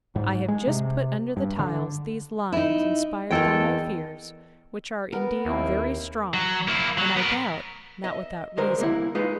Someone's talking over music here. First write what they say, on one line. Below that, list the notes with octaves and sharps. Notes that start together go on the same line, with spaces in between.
I have just put under the tiles these lines inspired by my fears, which are indeed very strong; and, I doubt, not without reason.
G#2
G#3
C3
G2
D3
D#4 E4
E2 A4 A#4 D#5 G5
B3 A#4
D#2 A#3 C4 E4
F#3
A#3 E4
F#3
B3 A#4
D#5 E5
D3 G#3 A#4 C5
C2 A#3 E4
G#3 D#4 F4 B4